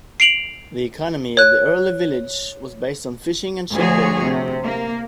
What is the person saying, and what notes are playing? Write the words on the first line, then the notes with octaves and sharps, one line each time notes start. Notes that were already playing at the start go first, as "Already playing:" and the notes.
The economy of the early village was based on fishing and ship building.
C7 D7 F7 F#7
C#5 F#6
D2 A2 F3 F#4 G#4 C#5
C3
A#3